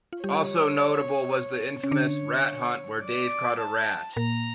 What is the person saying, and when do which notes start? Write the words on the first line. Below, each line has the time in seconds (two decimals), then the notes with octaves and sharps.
Also notable was the "infamous" rat hunt where Dave caught a rat.
0.13 F4
0.23 G3 G4 C#5
1.83 C#4
1.91 D3 D4 C#5
3.04 D5
3.60 A5
4.16 A#2 A#3 A#5